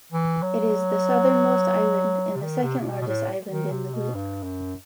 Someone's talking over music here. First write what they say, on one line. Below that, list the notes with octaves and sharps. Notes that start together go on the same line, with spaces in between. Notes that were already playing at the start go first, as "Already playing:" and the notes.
It is the southernmost island and the second largest island in the group.
E3
F#3
C3
D#3
C3
C3
B2
B2
A2
D#3
C3
B2
G2
F#2